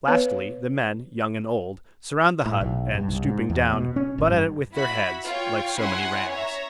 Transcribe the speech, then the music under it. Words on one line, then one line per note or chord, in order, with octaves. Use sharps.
Lastly, the men, young and old, surround the hut, and, stooping down, butt at it with their heads, like so many rams.
B3 B4 C#5 F5
A2
B1
G2
C2
G#2
E2
B2
C#4
G#1
G2
E4 F#4 B5
F4 C#5 G5
C#4 E4 F#5 G#5 C6
C#5 E5 A#5